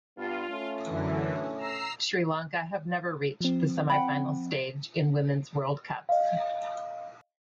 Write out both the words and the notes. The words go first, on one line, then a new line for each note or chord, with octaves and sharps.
Sri Lanka have never reached the semi-final stage in women's World Cups.
G2 B3 F4
A3 C#4
F#2 D3 E3
A#5 E6 C7
F3 C4
F#5 G5 B5
D#5 F5